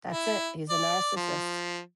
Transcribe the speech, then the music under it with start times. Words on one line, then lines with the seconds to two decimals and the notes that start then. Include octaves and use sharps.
That's it, he's a narcissist.
0.12 E4
0.70 D5
1.17 F3